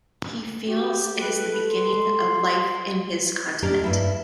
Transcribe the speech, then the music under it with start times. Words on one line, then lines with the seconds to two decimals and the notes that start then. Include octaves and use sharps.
He feels it is the beginning of life in his continent.
0.67 F#4 G4
1.21 A4 B4
1.68 C6
3.62 D4 G4 A#4 D5 D#5
3.84 G2 E4